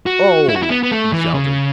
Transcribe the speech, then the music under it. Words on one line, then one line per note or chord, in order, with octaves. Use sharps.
"Oh!" he shouted.
F#4
E4
F#4
E4
B3
B3
A3
E3
C#3